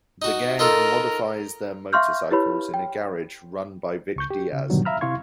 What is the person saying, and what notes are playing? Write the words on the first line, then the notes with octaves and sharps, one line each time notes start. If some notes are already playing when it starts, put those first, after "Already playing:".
The gang modifies their motorcycles in a garage run by Vic Diaz.
D#4 F#4
D#4 F4 A4 A#4
E5 F5 C6 C#6 F6 G6
E4 G4 B4 C#5 B5
G5
C#2 C#6 G6
G4
C#3
G#2 B2 D3 D#3 F#3 G3
E5 F5 A#5 B5 E6 F6
C3 E4 F5 C6 C#6 G#6